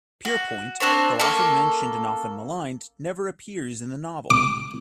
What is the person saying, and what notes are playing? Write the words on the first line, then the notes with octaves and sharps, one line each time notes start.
Pierpoint, though often mentioned and often maligned, never appears in the novel.
F#4
C4 D4 C5 C#5
A#3 C#4 A4 C#6
D6